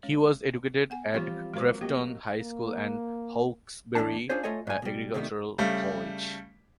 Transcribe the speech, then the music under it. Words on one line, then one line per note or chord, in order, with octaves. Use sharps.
He was educated at Grafton High School and Hawkesbury Agricultural College.
G#3 C#4 C#5
B3 F#5 G#5
E3 F3 G3 C4 F4
F#3 G#3 A#3 C5
F#3 A#3 B3 G4 D#5
A#3
E2 A2 F#3 C#4 D4 A5
C#4 D4 F4 G#4 C5 C#5
A3 F4 A4 C#5 D#5 G#5
G#2 G#5
B2 G3
C3 D#3 G3 A3 B3
C#3 G3 A3